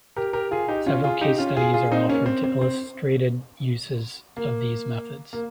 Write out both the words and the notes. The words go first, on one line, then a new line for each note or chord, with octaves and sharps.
Several case studies are offered to illustrated uses of these methods.
G4 A#4
G4 A#4
F4 G#4
D#4 G4
C#4 F4
F4 G#4
D#4 G4
C#4 F4
F4 G#4
F4 G#4
C4 D#4
A#3 C#4
C4
C4
C4
A#3
A#3